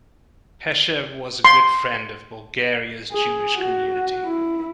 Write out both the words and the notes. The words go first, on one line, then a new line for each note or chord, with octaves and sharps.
Peshev was a good friend of Bulgaria's Jewish community.
C6
G#4
F#4
E4